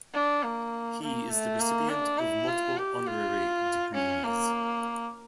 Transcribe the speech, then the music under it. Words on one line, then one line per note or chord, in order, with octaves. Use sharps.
He is the recipient of multiple honorary degrees.
D4
A#3
A#3
A3
A#3
D4
E4
F4
G4
F4
C#4
A#3